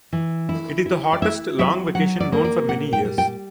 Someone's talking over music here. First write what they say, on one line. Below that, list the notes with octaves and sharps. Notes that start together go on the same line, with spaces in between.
It is the hottest long vacation known for many years.
E3
E4
E4
D5
E4 E5
F#3 E5
F#3 F#5
D5
A#3
D5
A#2 F#5
G5
G3
G5